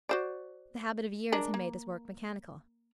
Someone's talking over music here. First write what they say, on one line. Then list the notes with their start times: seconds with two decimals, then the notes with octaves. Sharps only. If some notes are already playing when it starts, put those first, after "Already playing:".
The habit of years had made his work mechanical.
0.09 F#4 C5 D5
1.32 G#3 D4 A#4
1.54 A#3